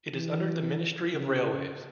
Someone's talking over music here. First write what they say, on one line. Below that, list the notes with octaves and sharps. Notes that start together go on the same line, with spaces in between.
It is under the Ministry of Railways.
E3
C#3